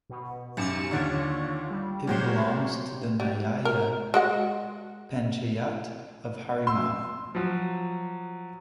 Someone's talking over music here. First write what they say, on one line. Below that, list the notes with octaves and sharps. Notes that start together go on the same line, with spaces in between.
It belongs to the nyaya panchayat of Harimau.
B2
B1 F#2 G4 C#7 E7
D#2 D3 F4 C#5 D5
G3
A#2 F#3 G#3 G4 C5 C#5
G3
A#4
G#3 F#4 F#5
C6 E6
F3 F#3